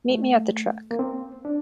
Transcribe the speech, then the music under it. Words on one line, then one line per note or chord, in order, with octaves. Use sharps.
Meet me at the truck.
A3
A#3
C4
D4